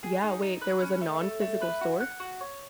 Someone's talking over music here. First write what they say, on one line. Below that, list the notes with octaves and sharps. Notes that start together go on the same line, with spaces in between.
Yeah, wait, there was a nonphysical store?
G#4
D#4
D#4
B4
C#4
A3
A3
A3
B4
F#4
F#5
F#4
C#5